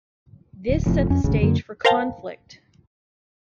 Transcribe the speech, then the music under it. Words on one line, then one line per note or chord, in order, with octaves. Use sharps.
This set the stage for conflict.
D1
F1 F2 A2
F2 C#4
D#1 G#1 D2 C#3
F#2 D3 F#3 A#3
A#4 C5 F5 G5 A5 A#5